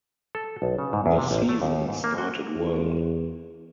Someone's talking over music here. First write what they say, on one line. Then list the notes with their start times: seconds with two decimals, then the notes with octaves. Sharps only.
The Season started well.
0.35 A4
0.62 B1
0.78 C#3
0.93 G#2
1.06 E2
1.18 C3
1.31 A1
1.49 A3
1.62 D#2
1.88 G#2
2.04 A#3
2.18 F#4
2.56 E2